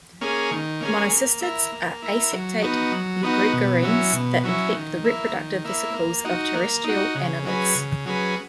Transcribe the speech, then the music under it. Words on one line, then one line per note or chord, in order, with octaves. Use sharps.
Monocystids are aseptate eugregarines that infect the reproductive vesicles of terrestrial annelids.
A#3 C#4 G#4
D#3
A#3 C#4 G#4
A#3
E4 A#4
A#3
E4 A#4
F#3
B3 D#4 F#4
F#3
B3 D#4 F#4
B2
F#3 C#4 E4
B2
F#3 C#4 E4
D#3
A#3 E4
D#3
A#3 E4
A#3
D#4 F#4
A#3
D#4 F#4
C#3
F#3 C#4 G#4 B4
C#3
F#3 C#4 G#4 B4